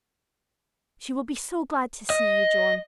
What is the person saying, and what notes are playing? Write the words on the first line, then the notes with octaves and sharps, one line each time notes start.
She will be so glad to see you, John!
D#5